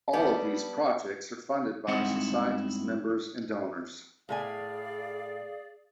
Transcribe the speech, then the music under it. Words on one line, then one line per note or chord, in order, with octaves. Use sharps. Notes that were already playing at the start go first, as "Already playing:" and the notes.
All of these projects are funded by the Society's members and donors.
G3 B3 D4
G2 G#3 C4 D#4 E4 F#5
A2 A3 G#4 D5 F5 G#5